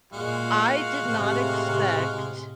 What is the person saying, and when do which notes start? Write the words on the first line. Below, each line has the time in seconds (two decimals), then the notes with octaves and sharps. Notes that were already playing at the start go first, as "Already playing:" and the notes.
I did not expect
0.13 A#2 G#3 F#4 F5
1.04 A2 C3